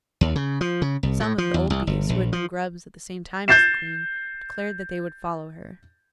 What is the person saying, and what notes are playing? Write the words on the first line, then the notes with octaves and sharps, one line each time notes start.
Some of the old Bees, who had been Grubs at the same time as the Queen, declared that they would follow her.
D#2
C#3
F3
C#3
C2
A2
F3
E2
C2
G1
A#1
F3
G6 A6 C7 E7